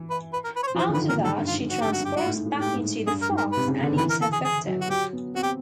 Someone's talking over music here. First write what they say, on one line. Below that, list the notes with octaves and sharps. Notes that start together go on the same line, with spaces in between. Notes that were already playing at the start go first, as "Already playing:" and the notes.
After that she transforms back into the fox and eats her victim.
Already playing: E3
B4
B4
A#4
B4
C#5
C5
F3
E3 C5
D3
D#3 B4
A#2 A#4
G#2 A4
G2
F4
G#2
G#2 F#4
G2 G4
F#4
G2
G4
G#2 F#4
A2
G#2
A2
G#2
G4
A2
G#2
G2 G#4
A#4
G#2
A#4
C3 B4
C#3
D3
D#3
E3 B4
A#4
A4
G#4
G#4
F#3
F#4
F#3 G4
B3
C4 F#4
G4